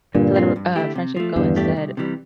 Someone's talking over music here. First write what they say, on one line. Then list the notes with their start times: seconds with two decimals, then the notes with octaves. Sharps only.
To let a r uh, friendship go instead.
0.15 G2 A#2 D3
0.36 F3 C4
0.56 G2
0.76 D3 A3 E4 G4
0.95 C3
1.16 F3 A3
1.36 E2 G2 D3
1.56 A3 D4 G4
1.77 C2
1.97 C3 E3 G3